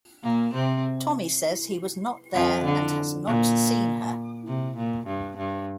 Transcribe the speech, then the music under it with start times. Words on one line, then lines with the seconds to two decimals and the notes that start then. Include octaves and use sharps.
Tommy says he was not there and has not seen her.
0.24 A#2 A#3
0.53 C3 C4
2.34 F2 F3
2.65 D3
3.26 A#2
4.47 C3
4.77 A#2
5.06 G2
5.37 G2